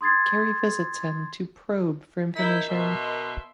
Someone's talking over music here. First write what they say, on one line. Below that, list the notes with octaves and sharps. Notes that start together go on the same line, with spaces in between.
Carrie visits him to probe for information.
C6 D#6 G#6 A6 C7
E4 A#4 D#5 A#5 G6 B6
B2 E5 C6